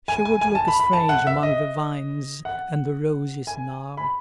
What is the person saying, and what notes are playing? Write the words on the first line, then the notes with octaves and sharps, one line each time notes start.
"She would look strange among the vines and the roses now."
G#5
G#5
G#5
A5
B5
B5
A5
F#5
E5
D#5
F#5
G#5
B5